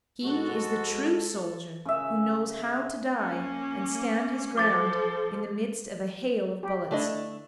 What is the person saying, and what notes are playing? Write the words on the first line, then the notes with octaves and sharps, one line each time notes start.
He is the true soldier who knows how to die and stand his ground in the midst of a hail of bullets.
G#2 G#3 F#4 A4 A5
C#3 E5
A#3 C#4
F3 A4 D6 A6
G4
D3 A3 D4 E4 A4 D#5